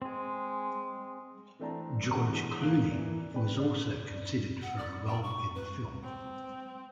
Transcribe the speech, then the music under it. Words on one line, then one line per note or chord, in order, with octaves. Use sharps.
George Clooney was also considered for a role in the film.
G#3 C4 G#4
E3 A3 C4 D4 A5 A#5
B2 D3 E3 G#3 B3
D1 A#3 F5 F#6 D7 G7
E3 A#3 D4
G#3 D4 G4 B4
D4
F#5
D5
G5
C#6
B4
C4